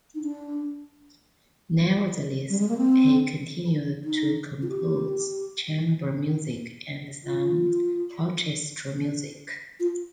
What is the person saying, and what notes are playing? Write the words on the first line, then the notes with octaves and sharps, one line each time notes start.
Nevertheless, he continued to compose chamber music, and some orchestral music.
D#4
D4
G3
G#3
A#3
C4
D#4
F4
G4
F4
F4